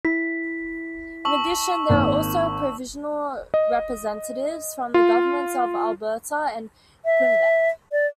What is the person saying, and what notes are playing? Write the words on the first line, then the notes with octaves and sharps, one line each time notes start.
In addition, there are also provincial representatives from the Governments of Alberta and Quebec.
E4 B6
A5 C#6 E6 F#7
G#1 A#3
D#5
F4
E5
D5